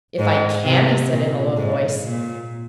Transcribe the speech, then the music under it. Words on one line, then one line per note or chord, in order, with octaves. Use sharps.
"If I CAN!" he said, in a low voice.
G#2
C3
A#2
G#2
A#2